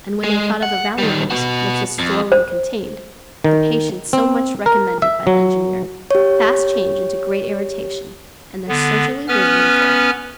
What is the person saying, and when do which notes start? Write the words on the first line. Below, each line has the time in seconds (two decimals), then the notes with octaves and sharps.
And when they thought of the valuables which this storeroom contained, the patience so much recommended by the engineer, fast changed into great irritation, and there certainly was room for it.
0.24 G#3
0.63 F#5
0.98 D#3 G3
1.30 B3 F#4
1.99 F2
2.32 C5
3.44 D#3
4.13 C4
4.66 A#4
5.02 E5
5.27 F#3
6.11 G4 C#5
8.68 D3 B3
9.28 B3 C#4 B4 F6